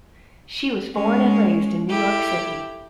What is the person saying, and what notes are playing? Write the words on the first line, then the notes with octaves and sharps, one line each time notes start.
She was born and raised in New York City.
G#3 C#4
E4 G4 A4